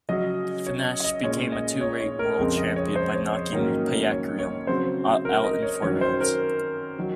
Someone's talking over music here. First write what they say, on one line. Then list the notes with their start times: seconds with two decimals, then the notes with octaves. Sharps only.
Fenech became a two-weight world champion by knocking Payakarum out in four rounds.
0.09 C#3 F#3 C#4 D#5
0.66 C#5
1.04 D#5
1.23 A#2 G#3 C#4 C#5
1.52 D#5
1.81 C#5
2.00 C#5
2.19 A#4
2.39 F2 C#3 G#3 C4
2.57 D#5
2.76 C#5
2.96 C5
3.14 C#5
3.33 C#5
3.52 G#2 D#3 F#3 A#3 C#4 D#5
4.10 C#5
4.39 C#5
4.67 C#3 F#3 C4 C5
5.25 A#4
5.44 D#5
5.62 C#5
5.82 F#2 D#3 F#3 C#4 C#5
6.01 C5
6.20 A#4
6.98 D#3 F#3